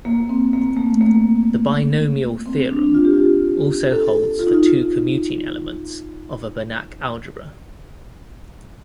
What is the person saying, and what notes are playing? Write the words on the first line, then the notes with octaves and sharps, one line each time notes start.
The binomial theorem also holds for two commuting elements of a Banach algebra.
A#3
C4
A#3
A3
A#3
C4
D4
F4
G4
F4
A4
A4
F4
D#4
F4